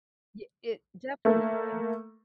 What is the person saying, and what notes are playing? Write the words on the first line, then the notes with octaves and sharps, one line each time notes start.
Ye it definitely.
A3 A#3 A4